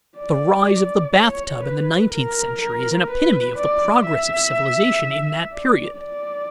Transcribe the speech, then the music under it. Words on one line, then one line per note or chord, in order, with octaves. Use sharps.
The rise of the bath-tub in the nineteenth century is an epitome of the progress of civilization in that period.
D5
C#5
B4
A#4
A#4
B4
D5
E5
D5
D5